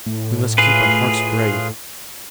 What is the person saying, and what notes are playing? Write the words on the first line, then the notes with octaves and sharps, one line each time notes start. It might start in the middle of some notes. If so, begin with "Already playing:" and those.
We must keep our hearts brave.
A2
F4 G#4 B4